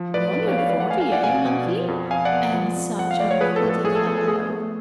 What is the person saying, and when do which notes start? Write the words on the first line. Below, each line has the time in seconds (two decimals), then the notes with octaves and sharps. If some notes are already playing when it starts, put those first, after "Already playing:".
You're near forty, eh, Nunkie? and such a pretty fellow!
Already playing: F3
0.14 A2 B4 D5
0.37 A2
0.47 C#5 F5
0.58 B3 C#5 F5
0.69 B4 D5
0.79 A3 D5 F#5
0.90 F5 G#5
1.01 A3 F5 G#5
1.12 D5 F#5
1.23 B2 F5 G#5
1.45 B2
1.66 F3
1.88 F2
2.10 F2 F5 G#5
2.25 D5 F#5
2.32 B3
2.53 F3
2.76 F2
2.98 F2 F#5
3.11 F5
3.19 A3 D5
3.31 C#5
3.41 F3 G#4 B4
3.56 A4
3.63 A2
3.69 A4
3.84 A2 G#4
3.95 A4
4.06 B3 A4
4.17 A4
4.27 A3 G#4
4.50 A3 G#4